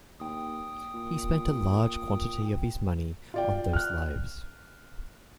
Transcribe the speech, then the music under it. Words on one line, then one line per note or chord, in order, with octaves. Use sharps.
He spent a large quantity of his money on those lives.
D#2 G5 D#6
A#2
F4 D5 G5
F6 F#6